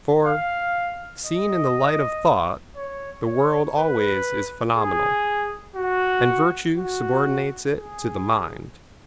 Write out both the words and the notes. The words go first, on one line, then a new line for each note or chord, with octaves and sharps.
For, seen in the light of thought, the world always is phenomenal; and virtue subordinates it to the mind.
F5
D#5
C#5
C#5
B4
G#4
F#4
F#4
G#4